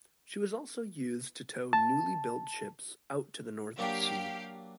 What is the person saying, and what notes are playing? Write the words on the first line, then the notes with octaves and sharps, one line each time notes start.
She was also used to tow newly built ships out to the North Sea.
A5
F#3 A#3 D4 G4 F5